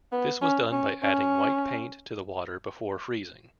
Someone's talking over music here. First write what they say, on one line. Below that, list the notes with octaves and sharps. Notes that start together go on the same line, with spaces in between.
This was done by adding white paint to the water before freezing.
B3
C#4
C#4
C#4